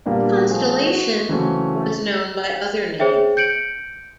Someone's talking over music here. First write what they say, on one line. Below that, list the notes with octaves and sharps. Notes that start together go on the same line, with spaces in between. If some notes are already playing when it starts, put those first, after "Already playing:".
The constellation was known by other names.
A#2 G3 A#3 B3 D4
F3 A3 C4 F4 G#4
F#4
C#3 E3 F#3 A3 C4 C#4
G#4 C5 C#5 E5 G5
G6 C#7 D7 F#7